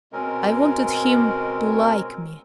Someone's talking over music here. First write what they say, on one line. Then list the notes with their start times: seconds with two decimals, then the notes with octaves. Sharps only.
I wanted him to like me.
0.13 B2 G#3 C4 C#4 A#4